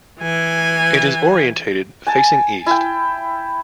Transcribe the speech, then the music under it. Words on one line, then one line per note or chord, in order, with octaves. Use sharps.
It is orientated facing east.
E3 G#5
G#5 A5
E4 G5